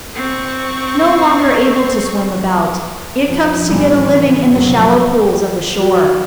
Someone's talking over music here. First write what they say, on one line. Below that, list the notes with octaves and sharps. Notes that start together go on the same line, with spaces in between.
No longer able to swim about, it comes to get a living in the shallow pools of the shore.
C4 C#6
F2 F3
A1 C#3 E3 F3 G3
C#3 E3
F1 A2 C#3 F3 F#3
F#4